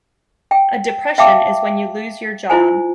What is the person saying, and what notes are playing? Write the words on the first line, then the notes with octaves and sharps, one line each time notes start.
A depression is when you lose your job.
G5
E5 F5 G5 A5 D6
E4 F4 C5 G#5